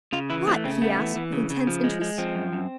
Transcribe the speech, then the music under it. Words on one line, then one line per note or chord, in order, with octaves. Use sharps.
"What?" he asked, with intense interest.
C#3 F4
E3 E4
A3 C4
C#3 C4
A3 B3
E3
E3
C#3
C#3
F3
G#3
G#3
F3 C4
F#2
F#2